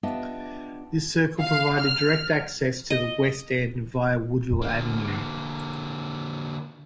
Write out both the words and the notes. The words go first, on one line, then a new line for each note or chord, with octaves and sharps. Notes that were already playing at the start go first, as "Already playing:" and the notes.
This circle provided direct access to the West End via Woodville Avenue.
B3 D4 F4 G4 D#5 E5
F5
F6
D#5
D3 A#3